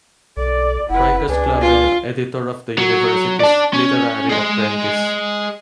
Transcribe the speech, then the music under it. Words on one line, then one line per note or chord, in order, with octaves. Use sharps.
Writer's Club and editor of the university's "Literary Apprentice".
B1 A4 D5
F#1 E4 B4 F#5
C#2 D4 G#4 B4
F4 B4
F#3
D5 A5
C#4
G#4 D#5